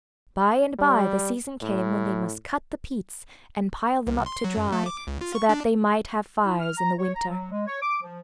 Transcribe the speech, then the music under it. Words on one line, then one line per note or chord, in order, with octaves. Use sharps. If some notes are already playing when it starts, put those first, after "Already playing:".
By and bye the season came when they must cut the peats and pile them up to dry, so that they might have fires in the winter.
G3
A2
C2
C6
F#3
F#2
A3
D6
C#2
F4
C#6
D4
E4
F6
A#5
C#5
A#5
F#3
G#3
C#5
D6
F3